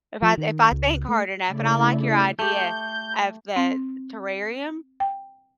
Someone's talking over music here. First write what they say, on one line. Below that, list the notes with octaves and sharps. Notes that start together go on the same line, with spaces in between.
If I'd if I think hard enough, and I like your idea of the terrarium
F3
D#3
C#2
A3
C#3 A3 E4 D5
A3 G4 G6
C4
G5